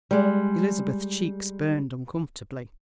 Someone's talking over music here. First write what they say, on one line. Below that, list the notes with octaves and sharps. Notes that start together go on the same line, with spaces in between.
Elizabeth's cheeks burned uncomfortably.
G3 G#3